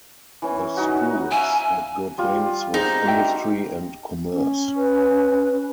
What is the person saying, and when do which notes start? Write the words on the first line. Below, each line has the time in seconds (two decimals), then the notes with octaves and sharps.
The schools had good links with industry and commerce.
0.42 E3 C#4
0.77 D#4 F#4
1.32 E5 F5 G#5
2.18 G3 F4
2.74 D#4 G#4 C5
3.06 D4 F#4 E5 G5
4.33 C#4
4.76 B4